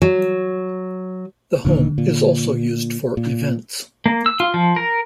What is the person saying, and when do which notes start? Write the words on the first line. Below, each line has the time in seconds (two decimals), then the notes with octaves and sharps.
The home is also used for events.
0.02 F#3
1.65 E1 A#2 D3 D#3
1.98 A#2
3.17 A#2
4.06 A#3
4.26 E6
4.40 F4
4.54 F3
4.76 A#4